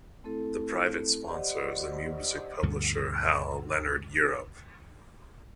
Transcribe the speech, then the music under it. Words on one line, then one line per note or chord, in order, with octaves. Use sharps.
The private sponsor is the music publisher Hal Leonard Europe.
A3 C4 E4 A4
G4 C5 D5 D#5 F#5
D2 G2 B2 D3